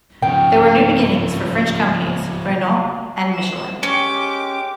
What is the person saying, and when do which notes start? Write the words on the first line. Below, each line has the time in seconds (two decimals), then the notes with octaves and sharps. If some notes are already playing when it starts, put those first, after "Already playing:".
There were new beginnings for French companies Renault and Michelin.
0.22 C#3 F3 G5
3.35 E7
3.83 G#3 C#4 G4 D6